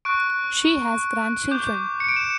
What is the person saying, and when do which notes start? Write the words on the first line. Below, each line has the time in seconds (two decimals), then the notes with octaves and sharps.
She has grandchildren.
0.05 C#6 F#6 D7
1.51 D6 G6
2.00 C#7
2.08 D7
2.16 E7